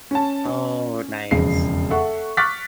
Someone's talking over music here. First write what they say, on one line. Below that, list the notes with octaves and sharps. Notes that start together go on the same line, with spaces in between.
Oh, nice.
C#4 A5
C#4
E1 F2 C#3 C7
A4 E5 F#5 C#6
C#6 D6 F6 F#6 A6 B6